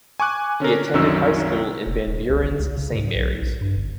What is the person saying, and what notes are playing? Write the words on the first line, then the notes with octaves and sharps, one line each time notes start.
He attended High School in Van Buren's Saint Mary's.
G#5 C#6 D6 F#6
D3 C#4 A4 A#4
C2 F#2 D#3 F#3 C#4 E6
F1
D#1
C2
G#1
C#2
C#3
G#2
B1
A#1
G2
G1